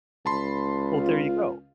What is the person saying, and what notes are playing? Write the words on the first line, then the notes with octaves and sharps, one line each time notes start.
Well, there you go.
C#2 A5 B5 C6
F4